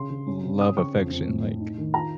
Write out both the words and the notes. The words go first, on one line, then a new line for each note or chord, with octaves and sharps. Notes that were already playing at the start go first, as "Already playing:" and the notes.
love affection, like
Already playing: C#3 C6
C#3
C#4
C3
C#4 D#6
C#3 C#6
F2
F2
A2
A2
D#4
D#3
F4 A#5